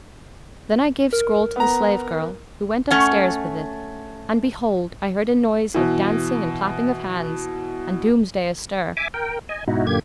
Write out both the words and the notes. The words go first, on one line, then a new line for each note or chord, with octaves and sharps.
Then I gave scroll to the slave-girl, who went upsatirs with it, and behold, I heard a noise of dancing and clapping of hands and Doomsday astir.
A#4
B3 A#5
A3 C#4 F#5
B2 E3
E5 G#5 D6
A#4 G5
D#5 G#5
G#2 B2 D#4 E4 F#4
F#2 A#2 D3 A#3 G4 G#6